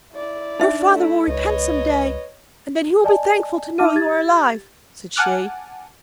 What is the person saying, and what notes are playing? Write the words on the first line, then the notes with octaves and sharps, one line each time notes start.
'Your father will repent some day, and then he will be thankful to know you are alive,' said she.
E4 D5
D4 D#4 E5
A3 E4
C#2 B4 C#5 D#5
D5 D#5 G#5 A5
D#4 E5 A5 D6 F6 D#7
G4 G#6 A6
F#5 G#5 A5 D6 F6 F#6